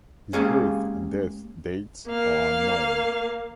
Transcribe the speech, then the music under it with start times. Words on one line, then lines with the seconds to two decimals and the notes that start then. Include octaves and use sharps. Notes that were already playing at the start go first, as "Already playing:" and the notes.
His birth and death dates are unknown.
0.33 G#3 A#3 C#4 G4 G#4 F5
2.07 A#3 F5